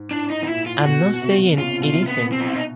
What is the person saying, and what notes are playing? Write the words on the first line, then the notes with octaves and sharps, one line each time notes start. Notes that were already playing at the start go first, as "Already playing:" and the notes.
I’m not saying it isn’t.
Already playing: G#2
A2 D4
D#4
D#4
A#2 E4
F4
A#2
B2 F#4
B2
C3
C#3 F4
C3
B2 F4
C3
B3
A#2
B2 C4
F4
E4
D#4